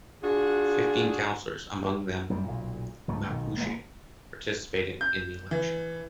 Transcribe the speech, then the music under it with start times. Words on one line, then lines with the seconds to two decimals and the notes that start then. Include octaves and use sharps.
Fifteen councilors, among them Mapuche, participated in the election.
0.23 D4 F4 F#4 G#4
2.30 F#2 G3
2.44 B1 A#2
3.08 C#2 G#2 F#3 A3
3.30 B1 B2 D#3
3.58 A1 D2 G#3 A#3
5.01 G6
5.51 E3